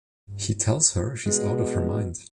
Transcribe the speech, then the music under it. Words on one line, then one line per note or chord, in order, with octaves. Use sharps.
He tells her she is out of her mind.
B2 G#3